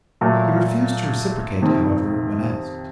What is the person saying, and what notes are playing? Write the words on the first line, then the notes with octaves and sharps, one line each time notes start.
He refused to reciprocate, however, when asked.
A#2 F#3 A3
F2 C3 D#3